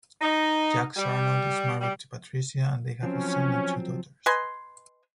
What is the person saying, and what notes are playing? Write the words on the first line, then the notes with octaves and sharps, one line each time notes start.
Jacques Arnold is married to Patricia, and they have a son and two daughters.
D#4
G3
G3
F3 F#3 C4 C#4
B4 D#5 G#5 C6